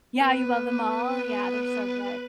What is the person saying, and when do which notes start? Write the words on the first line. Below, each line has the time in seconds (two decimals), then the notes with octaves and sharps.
yeah, you love 'em all? Yeah, they're so good.
0.20 B3 B4